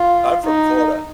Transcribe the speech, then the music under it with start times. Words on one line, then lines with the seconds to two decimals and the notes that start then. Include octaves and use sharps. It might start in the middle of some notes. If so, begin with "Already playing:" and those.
I'm from Florida.
Already playing: F4
0.44 D#4